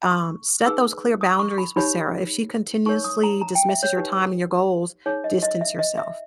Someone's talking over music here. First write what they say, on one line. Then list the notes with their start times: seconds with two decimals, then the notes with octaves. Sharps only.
Um, set those clear boundaries with Sarah. If she continuously dismisses your time and your goals, distance yourself.
0.11 C#6
0.66 D#4 G#4 B4 E6
1.21 D#6
1.39 C#6
1.58 B5
1.76 D#4 G4 C#5 B5
2.86 D#4 A#4 C#5 C#6
3.04 D#6
3.23 A#5
3.41 A#5
3.55 G5
3.69 E5
3.83 C#5
3.97 D#4 G4 B4
5.06 D#4 G#4 C#5
5.24 D#5
5.43 D#5
5.61 E5
5.79 D#5
5.97 E5